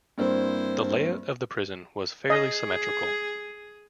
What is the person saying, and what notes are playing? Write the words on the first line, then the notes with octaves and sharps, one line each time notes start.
The layout of the prison was fairly symmetrical.
G2 A#3 C4 E4 C5
G#4 D#5